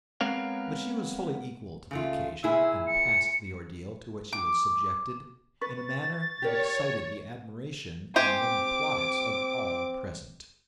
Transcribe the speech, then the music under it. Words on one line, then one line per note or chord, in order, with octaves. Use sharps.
But she was fully equal to the occasion and passed the ordeal to which she was subjected in a manner that excited the admiration and won the plaudits of all present.
G#3 B3 C4 A#4 C#5 F5
C#3 A3 F4
A#2 E4 G#4 E6
C#7
D6
B4 C#6 A6
G4 A#4 C#5 D5
C4 G4 C5 G#5 D6